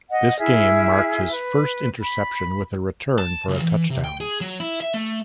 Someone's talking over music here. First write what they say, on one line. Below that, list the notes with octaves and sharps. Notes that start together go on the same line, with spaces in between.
This game marked his first interception with a return for a touchdown.
D#5 F#5
E4 G#4 E5 F6
B4
B5
A5
C#2
E3
C3
G5
G#4
F#3
E4
E5
A3